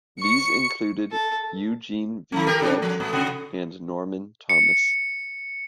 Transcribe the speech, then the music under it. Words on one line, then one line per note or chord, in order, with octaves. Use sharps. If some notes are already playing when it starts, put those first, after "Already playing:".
These included Eugene V. Debs and Norman Thomas.
C#6 C#7
A4
D#3 A3
A3 G4 A#4
C3 C#4 D4
F3
A#2 A3 B3
C3 F#4
C#7